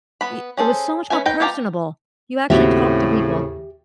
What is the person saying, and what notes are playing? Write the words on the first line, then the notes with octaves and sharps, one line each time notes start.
i it was so much more personable. You actually talk to people.
B3 B5
C#4 G#4 A4 C5
C#4 B4 E5 G#5
D#4 B4 G5
B3 F4 G4 A5 A#5
D#2 A2 C#3 C4 F#4 G4 E5